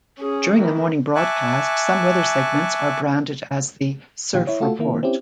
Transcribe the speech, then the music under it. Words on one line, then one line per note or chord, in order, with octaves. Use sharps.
During the morning broadcast, some weather segments are branded as the "Surf Report".
C#4 G#4
D#3 E3
E5 G#5 A5 C#6 D6 F#6
A#2 D#3 F4 G4
E4 C#5
A3 F4 F#4 A4
D#3 A#3 E4
C4 C#4 E4 G4